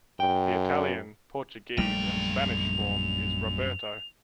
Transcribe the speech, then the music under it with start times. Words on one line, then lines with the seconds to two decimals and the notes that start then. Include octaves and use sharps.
The Italian, Portuguese, and Spanish form is "Roberto".
0.20 F#2 G5
1.78 A#1 F#2 G3 A3 G5 F7